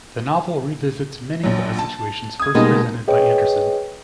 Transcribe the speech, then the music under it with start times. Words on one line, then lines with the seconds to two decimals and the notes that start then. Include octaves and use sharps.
The novel revisits many of the situations first presented by Anderson.
1.43 A#1 F#3
1.79 A5
2.40 D#6 G#6
2.55 B2 G3 G#3 A#3 D#4
3.08 G#4 B4 C#5 D#5 G5